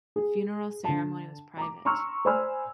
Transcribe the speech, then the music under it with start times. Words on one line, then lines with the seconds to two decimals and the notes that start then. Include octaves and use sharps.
The funeral ceremony was private.
0.16 G#4
0.84 D3 A5
1.57 A#5 D6
1.85 A#5 C6 C#6 E6 F6
2.25 C5 D5 G#5 B5 E6 F6